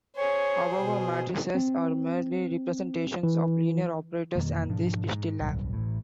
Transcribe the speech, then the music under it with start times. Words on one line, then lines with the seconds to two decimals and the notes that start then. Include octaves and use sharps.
However, matrices are merely representations of linear operators, and these we still have.
0.17 G#4 C5 C#5
0.78 B2
1.55 C4
3.23 E3
4.35 F2 B2 D#3 A#3
4.69 G#2 B2 F3 D4
5.11 G#2
5.41 D1 B1 G2
5.73 A1 A2